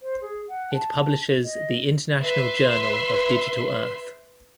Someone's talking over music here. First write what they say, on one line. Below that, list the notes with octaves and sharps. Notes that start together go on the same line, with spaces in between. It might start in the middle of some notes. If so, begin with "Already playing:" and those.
It publishes the "International Journal of Digital Earth".
C5
G#4
F#5
A5
D#5
B4 E5 C6